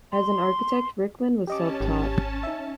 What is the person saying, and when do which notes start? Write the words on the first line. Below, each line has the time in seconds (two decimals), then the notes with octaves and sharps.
As an architect, Rickman was self-taught.
0.12 C6
1.47 C#4 G4 D#5 A5 D6
1.81 G#1 G4
2.43 D#4 E5